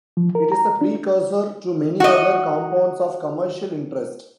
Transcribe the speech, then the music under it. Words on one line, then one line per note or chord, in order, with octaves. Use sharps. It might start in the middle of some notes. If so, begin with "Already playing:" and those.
It is a precursor to many other compounds of commercial interest.
F3
A#4
A#5
D4
F#4 D#5